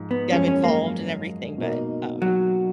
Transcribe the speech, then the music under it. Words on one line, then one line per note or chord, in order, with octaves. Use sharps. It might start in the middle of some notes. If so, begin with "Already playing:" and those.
them involved and everything, but, um
Already playing: G#2 F3 G#3
B3
F#2 F3 G#3 C#4
C#4
A#3
B2 A#3 D#4
F#3